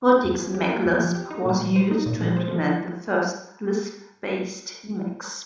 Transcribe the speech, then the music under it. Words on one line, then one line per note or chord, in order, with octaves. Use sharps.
Multics Maclisp was used to implement the first Lisp-based Emacs.
A#3
F2
F3
G4
A#3
F2
F3
G4
D#4
A#2
F3
C5
D#4
A#2
F3
C5
F3